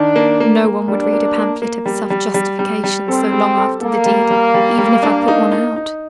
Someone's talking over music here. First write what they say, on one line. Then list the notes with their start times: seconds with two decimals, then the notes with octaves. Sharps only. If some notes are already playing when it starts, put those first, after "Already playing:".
No one would read a pamphlet of self-justification so long after the deed, even if I put one out.'
Already playing: D#3 D4
0.16 A#3
0.40 A#3
0.64 A#3
0.88 G3 D4
1.13 A#3
1.38 A#3
1.62 A#3
1.86 G3
2.10 G3
2.34 G3
2.59 G3
2.84 G3
3.08 C4 A4
3.32 G3
3.57 A4
3.81 A#3 A4
4.06 G3
4.30 G3
4.54 G3
4.78 G3
5.03 D4
5.28 D#4
5.52 D#4
5.76 D#4